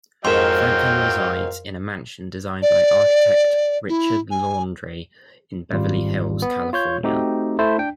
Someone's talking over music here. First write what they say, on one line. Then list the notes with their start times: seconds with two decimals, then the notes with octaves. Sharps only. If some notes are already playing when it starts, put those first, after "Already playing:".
Franklin resides in a mansion designed by architect Richard Landry in Beverly Hills, California.
0.25 F2 G#2 F#3 A#4 D#5 F5 G5 C6
2.62 D5
3.88 E4
4.31 G#5
5.72 G#1 G3 F4
6.42 B3
6.73 F4 C#5 G6
7.03 A3 C4 D#4 F#4 G4
7.59 A3 E4 C5 E5 A5
7.78 D4 G5